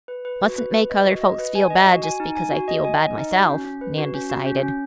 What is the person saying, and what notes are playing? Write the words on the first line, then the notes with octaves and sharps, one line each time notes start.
"Mustn't make other folks feel bad just because I feel bad myself," Nan decided.
B4
B4
F#4
B4
B4
D#5
F#4
D#5
B4
G#5
D#5
F#4
G#5
D#4
G#5
F#4
D#5
G#5
D#5
D#4
F#4
C#4
C#4
B4
F#4
C#4
F#4
C#4
C#4